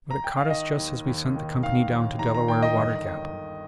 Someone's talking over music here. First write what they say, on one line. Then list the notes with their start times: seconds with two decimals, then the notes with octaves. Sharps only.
But it caught us just as we sent the company down to Delaware Water Gap.
0.11 A#5
0.24 G5
0.37 F5
0.49 D#3 D#5
0.78 D#2
1.06 D#2
1.35 D#3
1.63 D#3 F5
1.91 D#2
2.19 D#2 A#5
2.34 A#5
2.48 D#3 G5
2.63 D#5
2.77 G1
3.05 D#3
3.32 G1